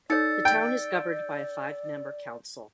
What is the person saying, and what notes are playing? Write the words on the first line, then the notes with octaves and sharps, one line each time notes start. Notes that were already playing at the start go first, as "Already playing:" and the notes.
The town is governed by a five-member council.
D#4 A4 C#5 D5 E6 A6 C#7
G5